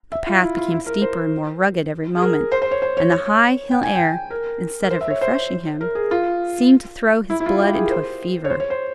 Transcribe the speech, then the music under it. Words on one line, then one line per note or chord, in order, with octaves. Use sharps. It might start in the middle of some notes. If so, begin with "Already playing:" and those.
The path became steeper and more rugged every moment; and the high hill air, instead of refreshing him, seemed to throw his blood into a fever.
E5
F4
E4
F4
E4
A#4
C5
G#4
A#4
C5
C5
C#5
C5
C#5
C#5
G5
G#5
G5
A#4
A#4
C5
E5
C#5
C5
A#4
G#4
F4
E4
E4
F4
G4
G#4
A#4
C5
C#5
C5
C#5
C5